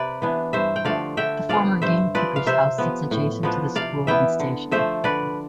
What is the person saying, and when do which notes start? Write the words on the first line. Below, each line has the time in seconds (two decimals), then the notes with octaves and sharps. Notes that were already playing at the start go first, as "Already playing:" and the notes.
The former gamekeeper's house sits adjacent to the school and station.
Already playing: C3 B4 D5
0.22 E3 B3 D4
0.53 G2 C5 E5
0.76 G5
0.85 D3 F3 A3 D5 F5
1.17 D3 E5 G5
1.49 F3 B3 D5 F5
1.82 G2 C5 E5
2.15 F3 C4 B4 D5
2.36 F5
2.47 C3 C5 E5
2.78 F3 B3
3.11 A2
3.43 F3 B3 D4
3.75 C3 D5 F5
4.07 E3 B3 E5 G5
4.40 D3
4.71 F3 A3 C5 E5
5.04 D3 B4 D5